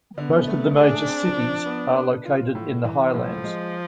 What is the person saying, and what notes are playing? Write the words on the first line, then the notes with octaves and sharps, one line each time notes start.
Most of the major cities are located in the Highlands.
D3 B3
A3
D4 G#4
C4
F3
B3
B4
F4
A2
E3
A2 F3
G#3